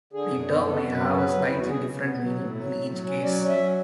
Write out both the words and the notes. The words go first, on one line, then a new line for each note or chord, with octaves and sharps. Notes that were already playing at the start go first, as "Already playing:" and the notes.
The term may have a slightly different meaning in each case.
D3 G#4
F#2
B3
B3 A4
F#2
B4
F#3
C#3 B4
C#3
E2 E4
F#4
C#3 G#4
C#3
B3
F#3
A2
F#3
A2
F#3
C#4
F#3 D5
C#4
E5
F#3